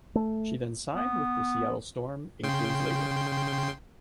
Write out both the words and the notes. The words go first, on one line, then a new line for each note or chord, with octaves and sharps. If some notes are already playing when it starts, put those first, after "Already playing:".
She then signed with the Seattle Storm eight days later.
A3
B3
C#3 G5 C6